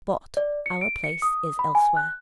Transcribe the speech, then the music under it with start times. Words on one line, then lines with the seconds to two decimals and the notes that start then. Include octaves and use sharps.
But our place is elsewhere.'
0.37 D5
0.66 C#7
0.81 D7
1.04 C#7
1.22 D#6
1.59 B5
1.75 G#5
1.97 F#6